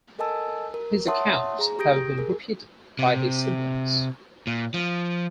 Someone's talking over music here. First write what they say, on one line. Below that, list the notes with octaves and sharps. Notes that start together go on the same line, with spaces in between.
His accounts have been repeated by his siblings.
A4 A#4 D#5 G#5 A5 E6
A#4
C#5 E5 F#5 A5 C6 D#6
G#4 A#5
G4 D#6 G6 A#6 D7
G#4 A#4
C3
A#2
F3